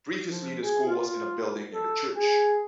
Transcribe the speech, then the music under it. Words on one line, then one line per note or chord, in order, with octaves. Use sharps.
Previously, the school was in a building near the church.
F3
G#4
F4
A4
G#4